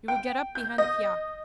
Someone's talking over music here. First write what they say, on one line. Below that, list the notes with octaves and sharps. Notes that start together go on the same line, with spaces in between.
You will get up behind the fiacre.
G5
G6
D#5